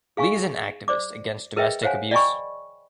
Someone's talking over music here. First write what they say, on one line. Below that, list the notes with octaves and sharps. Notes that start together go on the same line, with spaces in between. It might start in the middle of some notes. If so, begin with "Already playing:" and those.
Lee is an activist against domestic abuse.
G#4 F5 G#5 C#6
C5 D5 D6
G#4 A#4 B4 D#5 E5 G5
C5 C#5 F5 F#5 G#5
D5 D#5 G5 G#5 B5 C#6